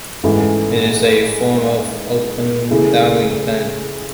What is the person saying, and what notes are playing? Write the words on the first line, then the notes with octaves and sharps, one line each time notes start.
It is a form of open dialling plan.
G#2 E3 A3 C#4
C#3 E3 A3 E4 G#4